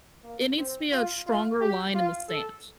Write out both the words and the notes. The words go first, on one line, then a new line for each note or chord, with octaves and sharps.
It needs to be a stronger line in the sand.
A#3
C4
F4
F4
G4
F4
A4